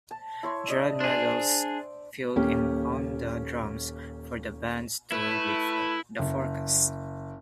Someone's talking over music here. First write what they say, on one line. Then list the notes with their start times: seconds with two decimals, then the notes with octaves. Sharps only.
Jerad Meadows filled in on the drums for the band's tour with The Forecast.
0.11 A5
0.43 E4 C#5 C6
0.68 D4 D#5 E5
1.00 D4 G#4 C5 D5
2.36 D#1 A#3 C#4 G4
5.12 A3 E4 B4
6.19 F#1